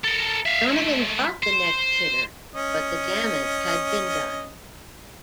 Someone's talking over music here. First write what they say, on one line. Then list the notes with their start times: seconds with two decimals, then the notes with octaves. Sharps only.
Donovan got the next hitter, but the damage had been done.
0.04 A4 A#4
0.46 E5 F5
0.68 G#3 A3
1.43 C5
2.54 C#4 D#5